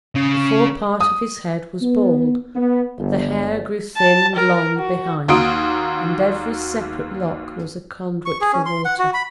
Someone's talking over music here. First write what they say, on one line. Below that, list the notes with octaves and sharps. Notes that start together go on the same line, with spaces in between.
The fore part of his head was bald; but the hair grew thin and long behind, and every separate lock was a conduit for water.
C#3
D#6
B3
B3
G1
A5
A#4
F#4
D#2 A#3 F#4 C6 D#6 D7
C#6
G#4
C#4
C6
F#5
F#4
B5